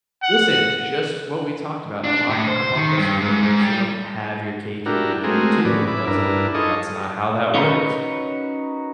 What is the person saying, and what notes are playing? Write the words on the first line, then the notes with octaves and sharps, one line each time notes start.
Listen, just what we talked about, hypo hypocrisy, like, you can't have your cake and eat it too. It doesn't that's not how that works.
F#5
D4
A2
C5
D#3
G2
G#2
G#2
G3
D4 E4 F#4 G4 A#4
G#3 A3 C4 F#4 G#4 A#4
A2 C#4 B4 D5
E4 B5 D6
G2 D4 E4 A#4 B4
D#4 F4 G#4 A4 D#5 C#6
C#4 D#4 F#4 A#4 B4